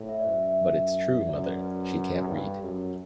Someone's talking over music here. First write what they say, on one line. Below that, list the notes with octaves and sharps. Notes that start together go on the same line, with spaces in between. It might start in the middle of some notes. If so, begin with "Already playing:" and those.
But it’s true, mother — she can’t read.
Already playing: A2
E5
D5
F#2 C5
E5
F#2 D5
D5
B4
G2 G4
A4
F#2